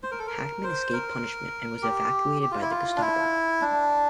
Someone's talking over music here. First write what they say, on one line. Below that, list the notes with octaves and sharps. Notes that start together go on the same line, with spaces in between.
Hackmann escaped punishment and was evacuated by the Gestapo.
C5
A#4
A4
A#4
C5
A#4
G4
G4
F4
E4
F4
D4
E4
D4